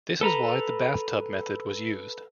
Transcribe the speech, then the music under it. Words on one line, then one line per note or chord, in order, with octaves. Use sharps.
This is why the Bathtub method was used.
A4 B4 A#5